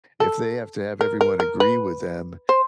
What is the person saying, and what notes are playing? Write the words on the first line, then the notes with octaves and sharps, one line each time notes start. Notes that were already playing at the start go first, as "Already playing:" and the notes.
If they have to have everyone agree with them
A4
A#4
A#4
A#4
B4
C5